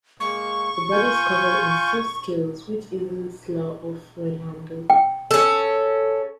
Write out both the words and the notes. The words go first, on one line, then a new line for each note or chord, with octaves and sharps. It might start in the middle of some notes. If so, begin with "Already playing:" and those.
The body is covered in soft scales which easily slough off when handled.
G#3 A#3 C#6
F4 G#5 G6
G5
C#4 A4